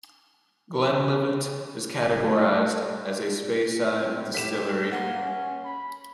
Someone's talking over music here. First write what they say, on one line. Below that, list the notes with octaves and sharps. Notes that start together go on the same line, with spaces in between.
Glenlivet is categorised as a Speyside distillery.
D1
A3
C4
A2 G4 B6 E7
A#3 F#5 G#5 C6
C#4
B5